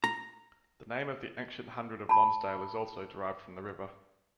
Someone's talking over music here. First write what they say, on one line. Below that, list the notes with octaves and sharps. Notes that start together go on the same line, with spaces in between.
The name of the ancient hundred of Lonsdale is also derived from the river.
A#5
A5 B5